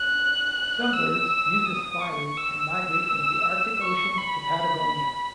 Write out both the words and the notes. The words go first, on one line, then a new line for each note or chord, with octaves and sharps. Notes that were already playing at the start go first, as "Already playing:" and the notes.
Some birds use this flyway to migrate from the Arctic Ocean to Patagonia.
Already playing: F#6
E6
D#6
C#6
E6
E6
C#6
B5